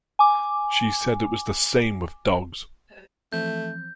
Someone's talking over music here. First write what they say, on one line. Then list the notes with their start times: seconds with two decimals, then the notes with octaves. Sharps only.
She said it was the same with dogs.
0.19 G#5 D6
3.32 E3 F3 A3 C4 G6